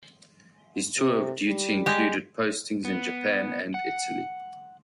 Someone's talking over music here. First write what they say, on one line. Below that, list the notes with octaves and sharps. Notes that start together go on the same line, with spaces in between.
His tour of duty included postings in Japan and Italy.
C3
G3
G#3 G4
B3
F#5